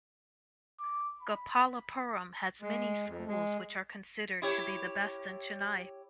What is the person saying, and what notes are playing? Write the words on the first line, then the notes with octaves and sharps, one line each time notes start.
Gopalapuram has many schools which are considered to be the best in Chennai.
D6
B5
G#3
F2
G#3
E4 G4 C#5